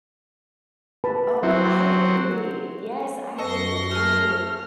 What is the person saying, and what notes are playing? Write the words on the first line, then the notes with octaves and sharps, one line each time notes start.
Oh, I agree. Yes, I agree.
B4 A5 B5
F#3 C4 E4 E5
F#2 A4 D#5 C6 C#6 A#6
A3 G#4 F6